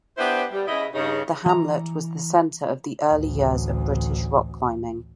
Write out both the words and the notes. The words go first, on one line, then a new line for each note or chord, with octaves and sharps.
The hamlet was the centre of the early years of British rock climbing.
B3 D4 E4 G4 B4 C5
G3
C#3 E4 D#5
G2 C#3 D#4
E3 A#5
A1 D2